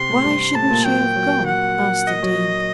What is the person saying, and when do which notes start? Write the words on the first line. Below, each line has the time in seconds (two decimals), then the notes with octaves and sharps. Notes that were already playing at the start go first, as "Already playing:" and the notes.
"Why shouldn't she have gone?" asked the Dean.
Already playing: C3 C6
0.09 A2
0.24 G2
0.55 A2 A5
0.70 A#2
0.85 F#3 G5
1.00 F#3
1.15 F#3
1.46 F#5
2.07 D#5
2.22 F#3